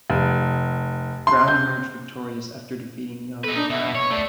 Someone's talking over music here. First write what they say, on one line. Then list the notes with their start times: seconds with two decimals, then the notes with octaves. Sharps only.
Brown emerged victorious after defeating Young in the final.
0.10 F1
1.27 C6
1.48 G6
3.44 D#4 A4 B4
3.56 D4 D#4
3.70 B2 E5
3.95 C#5 C#6
4.10 A2 A3 D5